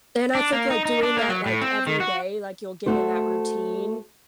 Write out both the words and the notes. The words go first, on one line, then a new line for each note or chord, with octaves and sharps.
And I think, like, doing that, like, every day, like, you'll get in that routine,
D4
A#3
D#4
D#4
D4
A#3
F#3
A2
C4
D#3
F#4
A3 F#4 C5